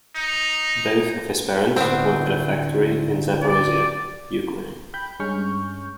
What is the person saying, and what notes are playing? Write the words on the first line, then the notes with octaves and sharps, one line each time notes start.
Both of his parents work at a factory in Zaporizhya, Ukraine.
D#4
D2 A2 B3 C4
D5
G5 B5 G6
G2 G#3 C#4 C#6 F6 G6